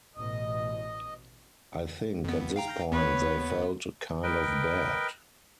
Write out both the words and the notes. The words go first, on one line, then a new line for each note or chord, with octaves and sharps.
I think at this point they felt kind of bad.
A1 B2 D#5
F2 B3
F5 G5 A#5
D#2 B3 B4 C#5
A#4 B4 D#5 G5